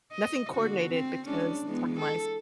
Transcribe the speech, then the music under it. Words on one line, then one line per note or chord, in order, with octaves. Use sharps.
nothing coordinated because timewise
D#5
D3 A#3 F#4
C4
G#3 C#4 D4
E3 G#3 B3
A4